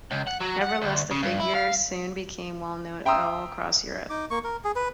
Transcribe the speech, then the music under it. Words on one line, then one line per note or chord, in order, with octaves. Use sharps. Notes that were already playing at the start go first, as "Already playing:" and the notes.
Nevertheless, the figure soon became well known all across Europe.
C#2
F#5
F#3
F#5
D2
C#3
G2
E4
F5
E5 G5 A#5 C6 D#6 E6
D#4 D6
A#3 C#6
A#4
G#4
B4